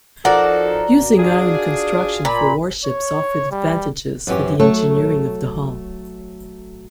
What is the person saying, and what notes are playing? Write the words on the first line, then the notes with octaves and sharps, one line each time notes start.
Using iron construction for warships offered advantages for the engineering of the hull.
F3 D#4 F#4 A4 A#4 D5
D4 F4 G#4
A#2 B5
C#5
G3
F#2 E3 C4 C#4 G4
F#3 A3 A4 C#5